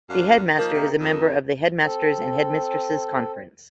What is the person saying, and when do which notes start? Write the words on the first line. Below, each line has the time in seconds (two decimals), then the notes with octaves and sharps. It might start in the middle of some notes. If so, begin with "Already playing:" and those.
The Head Master is a member of the Headmasters' and Headmistresses' Conference.
0.10 F#2 D4 F5
0.58 F3 A#3 D#4 A#4
0.74 C3
1.00 F2 D#5 E6
1.85 C4 A4